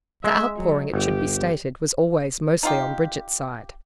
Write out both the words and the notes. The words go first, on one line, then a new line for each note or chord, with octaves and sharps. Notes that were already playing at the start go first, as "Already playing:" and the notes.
The outpouring it should be stated, was always mostly on Bridget's side.
G#3 E5
F#3
G1 G4
D#4 F4 G4